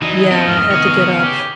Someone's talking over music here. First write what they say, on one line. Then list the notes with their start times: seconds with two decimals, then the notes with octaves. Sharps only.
Yeah, I had to get up
0.02 E3 D#4 F#4 D5 D#5
0.31 A3 B3 C4 A#4
0.47 F2 G#2 D#4 F6
0.71 D#3 B3 G#4 C#5
1.22 G4